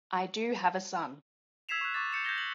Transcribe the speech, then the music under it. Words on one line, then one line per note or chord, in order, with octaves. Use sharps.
I do have a son.
E6 G#6 B6 C7 E7 F7
C#6 F#6
C#6 D6 A6
G6 C#7 E7
G6 G#6 A#6 G7
F#7